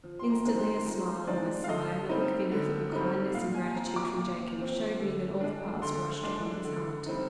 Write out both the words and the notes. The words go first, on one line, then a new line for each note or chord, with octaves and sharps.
Instantly a smile, and a sigh, and a look of ineffable kindness and gratitude from Jacob, showed me that all the past rushed upon his heart.
F3
C6
A#5
G#3 C4 D#4
C6
F3 A#5
G#3 C4 D#4 D5
F5
D3 D#5
G3 C4 D#4
D3
G3 C4 D#4
A#2 F5
G#5
F3 C4 A#5
D6
A#2
F3 C4
D3
G#3 D4
D3 C6
G#3 D4
D3
G3 C4 D#4